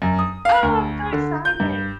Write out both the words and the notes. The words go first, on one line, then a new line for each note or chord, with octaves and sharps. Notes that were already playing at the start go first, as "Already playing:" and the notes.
Oh, I'm so excited.
F#2
D#6
F5
D2
D3
G6
G2